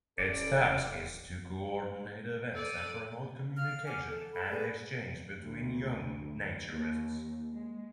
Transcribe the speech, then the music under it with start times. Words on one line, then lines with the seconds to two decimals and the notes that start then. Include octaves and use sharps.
Its task is to coordinate events and promote communication and exchange between young naturists.
0.18 D1 G3 C#4 A4 D5 D7
2.55 A4 D5 D#7
3.57 F5 F6
3.86 F#5 G#5 D6 F6
4.08 A4
4.34 A4 B5
4.50 G#4 B4 D5
5.39 D2
6.70 D#2
7.52 G#3